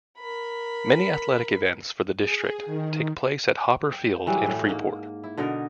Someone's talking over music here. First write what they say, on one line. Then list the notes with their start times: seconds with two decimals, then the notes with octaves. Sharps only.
Many athletics events for the district take place at Hopper Field in Freeport.
0.18 A#4 B5
2.19 G#4
2.66 D#3
3.92 G5
4.27 E3 F#3 G3
4.47 A2 A3
4.66 G#2 A#3
5.24 E4
5.38 B2 D3 D#4 A#4